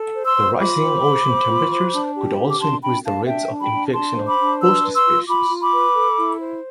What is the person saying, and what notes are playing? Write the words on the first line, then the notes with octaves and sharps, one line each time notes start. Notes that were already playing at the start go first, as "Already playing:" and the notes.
The rising ocean temperatures could also increase the rates of infection of host species.
Already playing: A4
C5
C6 E6
C5
F4 B5 D6
C5
C5
C5
F4
C5
D4
G4
D4
D6
D4 A5 C6
D4 G5 B5
D4 F5 A5
D4 E5 G5
D4
G5 B5
D4
D4 A5 C6
C5
B5 D6
D4
B4 C6 E6
B4
C6 E6
F4
F4 B5 D6
F4
B5 D6
B4
A4
E4
C5